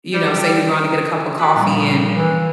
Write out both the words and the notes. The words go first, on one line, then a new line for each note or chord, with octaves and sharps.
You know, say you're going to get a cup of coffee, and
G3
F#4 B5
A#2 F3 G3
E3